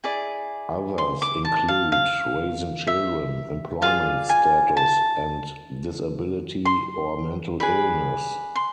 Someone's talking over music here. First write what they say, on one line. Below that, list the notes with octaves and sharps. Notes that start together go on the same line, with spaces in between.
Others include raising children, employment status; and disability or mental illness.
E4 G#4 D5
C6
D6
A5
F5
F5
E5
F4 G#4 D5 F5
G#5
A5
C6
G#4 B4 D5 B5
C6